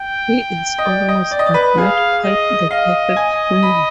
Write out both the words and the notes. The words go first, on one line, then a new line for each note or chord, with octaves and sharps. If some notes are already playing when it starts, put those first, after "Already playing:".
He is almost but not quite the perfect human.
Already playing: G5
D#5
D5
D#5
D5
D#5
D5
B4
G#4 F5
D#5
D#5 F5
G#5
B5